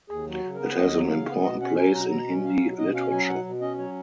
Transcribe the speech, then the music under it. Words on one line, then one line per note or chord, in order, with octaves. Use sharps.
It has an important place in Hindi literature.
D#2 G#4
F#3
F#4
C#3
A#4
B3
D#2 D#5
F#3
C#3 F5
B3
B2 D#5
C#4 F#5
F#3 G#5
B2 A#5
B2 A#5
C#4
F#3 F5
B2
B2 D#5
C#4 F5
F#3 G#5
B2 F#5
B2
C#4 D#5
F#3 C#5